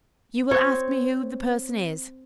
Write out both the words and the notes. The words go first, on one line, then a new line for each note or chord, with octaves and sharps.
You will ask me who the person is.
C4 C#5